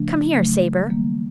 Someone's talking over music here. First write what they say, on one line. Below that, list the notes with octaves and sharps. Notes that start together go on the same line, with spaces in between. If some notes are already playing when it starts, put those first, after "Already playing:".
"Come here, Sabre."
Already playing: C#3 F3 A3 D4
C#3 F#3 A3
D#3 G3 A#3